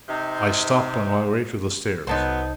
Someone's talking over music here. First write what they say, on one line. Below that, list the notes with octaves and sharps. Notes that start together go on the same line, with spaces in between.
I stopped on my way to the stairs.
C3 D#4
C2 F#3 B3 D#4 A4 C5